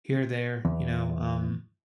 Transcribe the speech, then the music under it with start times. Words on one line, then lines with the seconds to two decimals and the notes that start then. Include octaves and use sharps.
here or there, you know, um,
0.65 E2